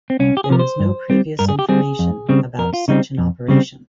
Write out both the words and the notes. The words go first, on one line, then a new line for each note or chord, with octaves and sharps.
There was no previous information about such an operation.
C4
C2 C#4
G4
G#4
C3 F3 A#4
C5
G2
G3 C4
G2 A#4
G#4
G4
G3 C4 G#4
F2
C#3 G3 C4
F2 A#4
F4
C#3 G3 C4 D#4
F2
C#3 G3 C4